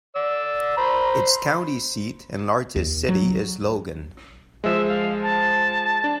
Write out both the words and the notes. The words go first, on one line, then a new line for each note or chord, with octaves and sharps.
Its county seat and largest city is Logan.
D5 E6
C5 A#5 B5
D#2
F#3
F3 G#3 E5
F5
A5
D4